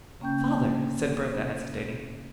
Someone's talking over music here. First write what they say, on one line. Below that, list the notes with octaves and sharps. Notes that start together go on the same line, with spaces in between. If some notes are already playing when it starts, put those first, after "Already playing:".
"Father!" said Bertha, hesitating.
C#3 A#3 C#4 G5 C#6 G6